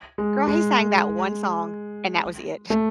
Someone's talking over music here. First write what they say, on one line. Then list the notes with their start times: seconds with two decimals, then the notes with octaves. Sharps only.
Girl, he sang that one song, and that was it.
0.18 G#3
0.47 G#3
2.70 A3